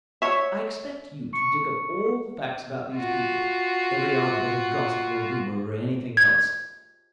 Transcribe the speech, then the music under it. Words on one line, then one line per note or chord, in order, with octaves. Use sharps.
I expect you to dig up all the facts about these people; every odd bit of gossip or rumor or anything else.
C#5 E5
C#6 C#7
F4 F#4
G#6